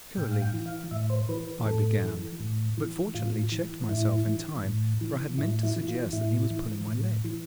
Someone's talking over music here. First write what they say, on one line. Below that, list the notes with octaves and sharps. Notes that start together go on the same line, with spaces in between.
"Surely----" I began, but fortunately checked myself in time, for I had meant to suggest that he was pulling my leg.
A2 G5
F5
G5
E3
F5
A2 E5
C5
E3 B4
B4
A2 A4
E3
A2
E3
A2 F4
E3
A2 E4
E3
A2
E3
A2 E4
E4
E3
F4
A2 E4
E3
A2
E3